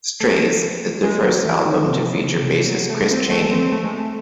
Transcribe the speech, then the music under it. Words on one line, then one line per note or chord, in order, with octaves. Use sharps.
"Strays" is the first album to feature bassist Chris Chaney.
A3
G#3
F#3
E3
D#3
C3
C#3
C3
F#3
A3
C4
A3
C4
A3
G#3
A3